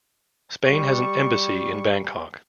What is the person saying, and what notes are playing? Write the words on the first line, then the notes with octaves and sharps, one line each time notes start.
Spain has an embassy in Bangkok.
G3 C#6